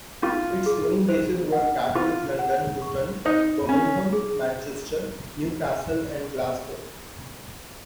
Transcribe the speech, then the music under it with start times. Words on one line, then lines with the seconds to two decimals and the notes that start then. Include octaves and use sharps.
Its main bases were Gatwick, London Luton, Birmingham, Manchester, Newcastle and Glasgow.
0.22 C#4 F4
0.66 G#4
1.09 C5
1.52 F#5
1.95 F4 C5
2.39 F#5
2.82 C#6
3.25 D#4 C5
3.69 C#4 D#4
4.13 G#4